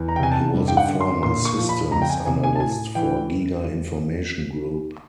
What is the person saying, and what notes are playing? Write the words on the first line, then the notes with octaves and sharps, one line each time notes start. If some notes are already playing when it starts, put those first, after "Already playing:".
He was a former systems analyst for Giga Information Group.
Already playing: E2
A#5
G5
C3 G#5
A5
G2
G5
F#5
D3
C6
A#2 C6
C#6
F3
B5
F2 A#5
G5
G#5
C3 G#5
G#5
A5
A2 G#5
E3 G5